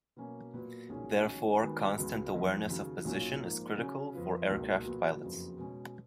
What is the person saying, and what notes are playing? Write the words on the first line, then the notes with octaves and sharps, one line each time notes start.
Therefore, constant awareness of position is critical for aircraft pilots.
B2 F#3 A#3 C#4
A#2 F#3 B3 F#4 B4
B1 A#2 F#3 C#4 G#4
D#2 D#3 F#3 C#4 F#4
D#2 D#3 G#3 B3 F#4
C#2 C#3 F#3 B3
F#1 F2 F3
D#2 C#3 F#3
B1 A#2 F#3 C#4 F4
G#2 F3 A#3
C#3 F#3 C#4
F2 F3 B3 F4 B4
C#2 B2 A#3 D#4 F#4
A#2 F#3 B3 F#4
F#1 F2 C#3 F#3 B3
B2 G#3 C#4